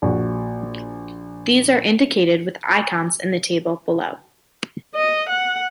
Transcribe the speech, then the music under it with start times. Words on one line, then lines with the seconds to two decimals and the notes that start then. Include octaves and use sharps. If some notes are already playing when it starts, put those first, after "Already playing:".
These are indicated with icons in the table below.
0.02 A#1 F#4
4.95 D#5
5.30 F#5